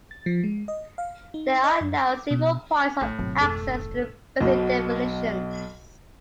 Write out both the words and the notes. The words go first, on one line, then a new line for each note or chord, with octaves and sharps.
There are now several points of access to the basic definitions.
A6
F3
G#3
D#5
F5
D#4
D#5
F#2
D6
B2
A#1 A2
G#1 B2 F#3 C4
F2 A3
D#1
B1 B2